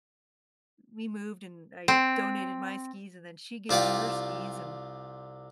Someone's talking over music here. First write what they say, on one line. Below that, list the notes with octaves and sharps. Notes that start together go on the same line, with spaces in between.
we moved, and I donated my skis, and then she gave me her skis, and
C4
C2 F4 G4 D5 D6